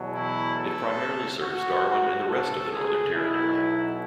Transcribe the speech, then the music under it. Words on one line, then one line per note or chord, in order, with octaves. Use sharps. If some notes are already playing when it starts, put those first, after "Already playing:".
It primarily serves Darwin and the rest of the Northern Territory.
Already playing: E2 B2 F#3
E4
A4
F#4
F#4
A4
G#4
B1 B2 F#3 E4